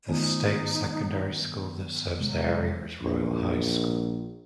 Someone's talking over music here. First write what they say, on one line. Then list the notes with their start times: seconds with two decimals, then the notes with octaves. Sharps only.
The state secondary school that serves the area is the Royal High School.
0.08 D#3 B3 D#4
2.19 C3 F#3 G#3
3.02 A#1